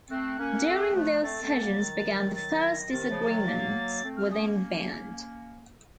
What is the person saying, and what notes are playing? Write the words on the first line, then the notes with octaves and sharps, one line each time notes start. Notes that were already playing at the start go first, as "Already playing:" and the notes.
During those sessions began the first disagreements within band.
A3 C4 F#6
A#3 C#4
A3 C4
F3 A3
A3 C4 A6
A3 C4
F#3 A#3
D#3 F#3
A6
A#6
C3 D#3 A6
C#3 F3
D#3 F#3
F#3 A#3
A3 C4
F6
A#3 C#4 D#6